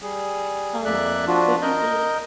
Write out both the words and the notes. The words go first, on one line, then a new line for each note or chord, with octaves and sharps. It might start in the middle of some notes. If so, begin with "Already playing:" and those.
Um, what do you think,
G3 G#4
F2 A#3 D5 E5 F#6
F3 D4 F4 F#4
A#4 D#5 G6